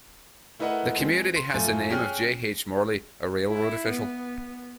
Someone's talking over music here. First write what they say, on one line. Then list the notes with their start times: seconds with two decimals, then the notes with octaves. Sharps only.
The community has the name of J. H. Morley, a railroad official.
0.59 A3 E4 A#4 B4 D#5 F#5
0.96 F3 G#3 C4
1.36 C6
1.54 F#2 F3 A3 F4 G#5 A6
1.90 C#4 G#4 G5 F6 F#6
3.49 E4
3.89 B3